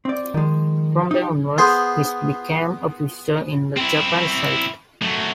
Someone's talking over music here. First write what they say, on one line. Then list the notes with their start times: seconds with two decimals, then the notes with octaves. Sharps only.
From there onwards he became a fixture in the Japan side.
0.05 C4 D5
0.34 D#3 F3 G#3
1.11 D#4 G4
1.58 B3 G#4 C5 C6
3.77 C4 E4
5.02 F#3 A3